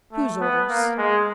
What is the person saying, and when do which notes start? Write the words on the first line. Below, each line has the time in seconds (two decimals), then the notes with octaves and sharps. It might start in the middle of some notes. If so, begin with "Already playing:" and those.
"Whose orders?"
0.13 A3
0.41 B3
0.70 A#3
0.98 G#3